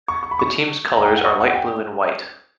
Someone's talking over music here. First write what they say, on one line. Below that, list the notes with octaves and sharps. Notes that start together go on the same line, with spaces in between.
The team's colours are light blue and white.
C#6
C#6
B5
C#6
A#5
G5
F#5
C#6
F#5
G5